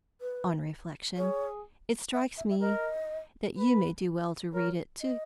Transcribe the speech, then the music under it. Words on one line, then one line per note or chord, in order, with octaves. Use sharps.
On reflection, it strikes me that you may do well to read it, too.
B4
G#4 C#5
E5
E5
E5
A#4 D#5
B4
A#4 C#5
D#5